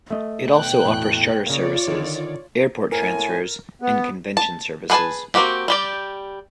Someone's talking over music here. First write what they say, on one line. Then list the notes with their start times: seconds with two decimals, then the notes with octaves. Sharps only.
It also offers charter services, airport transfers, and convention services.
0.10 A3 D#5
0.50 B2 G5 F#6
0.85 E2 A2
1.46 C#3 A#3 F4 C#5 D5
1.88 D3 D#3
2.92 A2 A#4 G#5
3.82 B3
4.37 A5
4.90 B3 G#4 B4 G#5 A5
5.35 A#3 C4 F#4 G4
5.68 G3 G4 D5